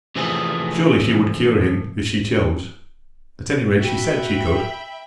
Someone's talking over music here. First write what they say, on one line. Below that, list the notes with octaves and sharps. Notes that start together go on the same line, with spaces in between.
Surely she would cure him if she chose--at any rate she said she could.
C3 E3 F3 A3 G#4
F#4 E5 G5 B5